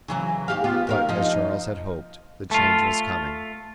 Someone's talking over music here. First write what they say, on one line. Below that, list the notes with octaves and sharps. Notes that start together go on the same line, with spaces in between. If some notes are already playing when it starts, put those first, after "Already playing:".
But, as Charles had hoped, the change was coming.
C#3 E3 F#3
D#2 G4 F5
B3 F4 G4
D#2 A#4 F5
F3 D#4
A3 F4 A5